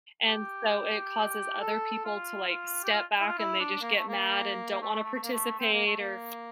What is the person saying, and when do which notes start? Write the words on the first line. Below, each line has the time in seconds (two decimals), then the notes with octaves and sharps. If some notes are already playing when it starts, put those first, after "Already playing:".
and so it causes other people to, like, step back, and they just get mad and don't wanna participate, or
0.26 G4
1.60 A4
2.05 F4
2.49 F4
2.84 G4
2.93 F4
3.20 E4
3.27 F4
3.38 E4
3.60 D4
3.82 A#3
3.96 A3
4.08 A#3
4.70 A#3
4.81 A3
4.93 A3
5.03 A3
5.15 A3
5.23 A#3
5.33 A3
5.59 C4
5.73 A#3
5.86 A3
5.99 A#3